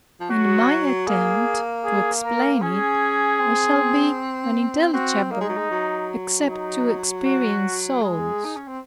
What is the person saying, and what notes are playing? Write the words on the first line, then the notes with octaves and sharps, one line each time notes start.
In my attempt to explain it, I shall be unintelligible, except to experienced souls.
F3
F#3 F#4
A#3 G#4
G#4
A#4
C#4 G#4
C4
C4 F#4
A#3 D#4
G#3
F#3
G#3
F#3
D#4
F#4
G#3 G#4
D#4
C#4
C4